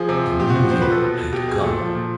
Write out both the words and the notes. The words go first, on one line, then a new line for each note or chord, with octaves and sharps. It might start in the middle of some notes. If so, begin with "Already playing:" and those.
The new year had come.
Already playing: F3 G#4
C3
F3
A#2 G4
F#4
F3
A#2 C5
B4
F3
A4
B2
B2 G4
G#4
A#2 A4
F3
A#2